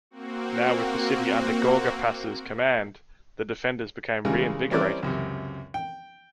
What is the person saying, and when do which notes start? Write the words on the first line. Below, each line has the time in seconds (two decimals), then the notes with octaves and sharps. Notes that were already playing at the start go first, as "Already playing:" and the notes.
Now with the city under Gorgopas' command the defenders became reinvigorated.
0.11 A#3 C4 F#4
4.25 C#3 E3 G3 G#3 G#4 A#4
4.71 G3 C4 C#4 E4 A#4 D5
5.03 C#2 F#2 C3
5.74 G5